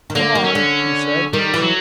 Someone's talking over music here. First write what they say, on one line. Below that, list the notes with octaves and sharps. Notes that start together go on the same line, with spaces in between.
"Come on!" he said.
D#3
D3 A#3
D#3
C#4
D3
D#3 G3
E3
F#3